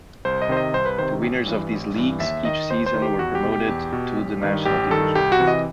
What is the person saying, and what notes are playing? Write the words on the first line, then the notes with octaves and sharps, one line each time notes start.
The winners of these leagues each season were promoted to the National Division.
C2 C5
D#5
C3 D#3 C5
D#5
C2 C5
B4
C3 D#3 C5
A1
G2 E3
A1
G2 E3
D#2 E5
D#3 D#5
D#2 C5
C5
D#3
G4
E2 F#4
G4
B2
G4
E2
B2
A1
G2 D#3
A1 G4
G2 D#3 A4
C2 G4
F#4
C3 E3
D#5